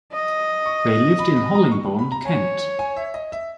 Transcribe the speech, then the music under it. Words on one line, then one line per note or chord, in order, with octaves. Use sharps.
They lived in Hollingbourne, Kent.
D#5
C#6
B5
B5
A#5
C#6
B5
A#5
C#5 G#5
G#5
E5
D#5
E5